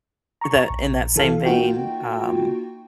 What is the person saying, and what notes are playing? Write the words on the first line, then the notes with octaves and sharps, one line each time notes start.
the in that same vein, um,
A#5 C#6
A#1
E3 A4 F5
A#3 D#4 F4 F#4 G5